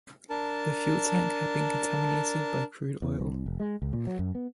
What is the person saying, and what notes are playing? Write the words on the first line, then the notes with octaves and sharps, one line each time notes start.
The fuel tank had been contaminated by crude oil.
D4 A#4 A5
E2
C2
F1
G#3
C#2
A#2
F#3
F#2
B3